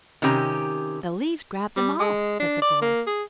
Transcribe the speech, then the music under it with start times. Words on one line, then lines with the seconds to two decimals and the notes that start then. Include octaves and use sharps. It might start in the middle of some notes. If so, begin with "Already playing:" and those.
"The leaves grabbed them all," said the boy.
0.22 C3 D#3 C#4 G4 A#5
1.77 G3
2.00 G#3
2.40 D4
2.62 D5
2.82 A#3
3.07 G#4